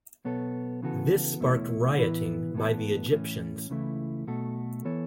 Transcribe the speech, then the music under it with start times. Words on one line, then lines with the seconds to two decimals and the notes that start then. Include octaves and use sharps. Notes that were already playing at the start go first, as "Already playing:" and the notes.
This sparked rioting by the Egyptians.
0.25 B1 B2 B3 A4 C#5
0.82 C#3 E3 B3 F#4 A4
1.40 E2 B2 A3 E4 C#5
1.97 A2 E3 B3 E4 B4
2.55 A2 E3 B3 A4
3.12 A2 E3 C#4
3.70 C#2 C#3 E3 A3 E4
4.27 B1 B2 A3 F#4 A4
4.85 E3 B3 A4 C#5